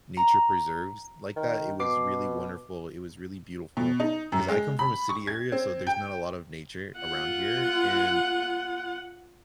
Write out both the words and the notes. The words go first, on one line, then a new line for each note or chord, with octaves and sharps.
nature preserves like that. It was really wonderful. It was really beautiful. 'Cause I come from a city area, so there's not a lot of nature around here. And
A#5
D#3
B2 D6 C7
B2
D#4
F#2
G#3
B5
C#6
G#6
C4
G5
F4 F#5